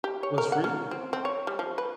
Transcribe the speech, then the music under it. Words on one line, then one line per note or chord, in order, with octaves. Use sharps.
It was free?
G4
C#5
A#4
F#5
C#4
C4
C4
C#5
G3
F3
B4